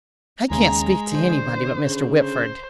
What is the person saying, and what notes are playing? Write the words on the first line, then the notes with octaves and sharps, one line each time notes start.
"I can't speak to anybody but Mr. Whitford."
D#2 C#3 G#3 A#5
D3 C5
C#3
C5